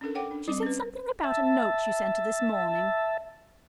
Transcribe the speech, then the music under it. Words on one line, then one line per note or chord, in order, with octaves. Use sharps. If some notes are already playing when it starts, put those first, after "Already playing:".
She said something about a note you sent her this morning.
C#4 D4 A4 A#4
A4 C#5 F#5 G5 D6
D4
G3 C4 D#5 D6
C#4 B4
E5 A5